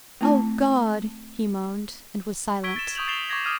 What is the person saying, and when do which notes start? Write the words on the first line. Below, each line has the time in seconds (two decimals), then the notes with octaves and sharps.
"O Gawd!" he moaned, and was silent.
0.21 A3 C4 E4 A5
2.63 C#6 E6 G#6 B6 D7 G7
2.76 A6 E7
2.95 C#6 D#6 G6 F7 F#7
3.07 C#6 A6 C7 E7 F7 G7
3.30 C#6 D6 G#6 A#6
3.44 D6 D#6 F6 G#6 D#7 F7